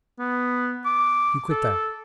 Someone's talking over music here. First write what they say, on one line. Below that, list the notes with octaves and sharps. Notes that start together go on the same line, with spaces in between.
"You quit that!"
B3
D6
A4